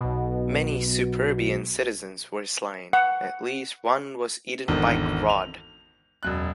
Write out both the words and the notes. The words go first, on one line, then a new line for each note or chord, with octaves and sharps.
Many Superbian citizens were slain, at least one was eaten by Grodd.
B1 B2
F#5
G#1 E2 D3 D#3
F7
E1 F#2 F#6